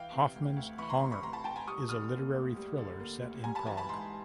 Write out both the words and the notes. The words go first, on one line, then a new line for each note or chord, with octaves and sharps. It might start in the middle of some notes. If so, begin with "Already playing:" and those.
"Hoffman's honger" is a literary thriller set in Prague.
Already playing: E3 F5 G5
C3
D2
D2
E3 B5 C#6
A#5 C6
C3 A#5 C6
B5 C#6
D2 A#5 C6
A5 B5
D2 G5 A5
G#5 A#5
G3 C#6 D#6
D3 D#6 F6
A#3
D2
G3
D3
A#3
D2
G3 G#5 A#5
A5 B5
E3 G#5 A#5
A5 B5
G#2 A#5 C6